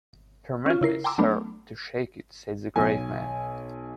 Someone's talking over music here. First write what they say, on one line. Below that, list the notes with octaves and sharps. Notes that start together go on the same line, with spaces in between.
'Permit me, Sir, to shake it,’ said the grave man.
C#4 F4
C#3 E4 A#4 C7
G5 G#5 A#5 C6 D6 E6
F#3 A3 B3 D4
B1 G#5